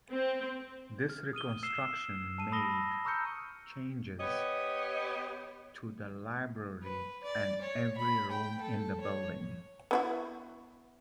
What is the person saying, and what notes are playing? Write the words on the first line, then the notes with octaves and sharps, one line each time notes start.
This reconstruction made changes to the library and every room in the building.
C4
F6
D#6 F6 D#7 G7
E6 C7 E7 G7
A5 D#7
B5 D#6 E6 A#6 G7
A#5 C#6 E6 F6 G6 C#7
B3 G4 C#5 D#5
B4
D5
C#5
B5
G5
A4
C#5
B3 E4 F#4